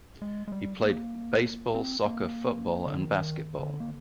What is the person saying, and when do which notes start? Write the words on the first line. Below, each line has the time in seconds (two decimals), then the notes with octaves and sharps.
He played baseball, soccer, football, and basketball.
0.22 G#3
0.48 G#3
0.52 G3
0.83 A#3
1.75 C4
2.05 A#3
2.86 D3
2.98 D#3
3.59 D3
3.80 A#3